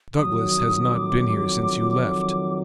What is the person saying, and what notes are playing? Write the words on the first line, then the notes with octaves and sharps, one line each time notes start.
Douglas has not been here since you left.
F2 D#3 F#3 D#6
D6